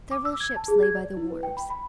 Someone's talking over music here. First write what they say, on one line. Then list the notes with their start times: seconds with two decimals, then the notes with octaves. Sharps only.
Several ships lay by the wharves.
0.11 D6
0.25 E6
0.40 G#6
0.56 A5
0.68 G#4
0.83 G#6
0.95 D5
1.17 E4
1.30 B4
1.43 G5
1.57 B5
1.70 B5